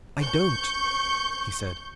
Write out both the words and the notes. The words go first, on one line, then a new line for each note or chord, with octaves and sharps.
"I don't," he said.
C#6 G6